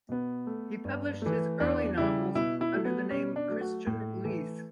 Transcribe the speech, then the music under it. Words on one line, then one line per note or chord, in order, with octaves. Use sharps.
He published his early novels under the name Christian Lys.
B2 B3
A3
G2
E3 A3
E2 D4
C#3 G3 E4
B2 E4
E4
F#3 A3
B3
B2 C#4
D4
F#3 A3
F#4
A2
E3 A3